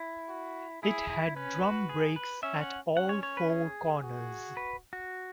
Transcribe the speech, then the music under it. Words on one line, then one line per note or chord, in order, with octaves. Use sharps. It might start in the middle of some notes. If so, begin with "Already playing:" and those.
It had drum brakes at all four corners.
Already playing: E4
F#4
E4 G#4
E4
C#4 B4
F#4
G#4
B4
C#4 E5
F#5
C#4 F#5
C#5
C#5
B4
G#4
F#4
B4
F#4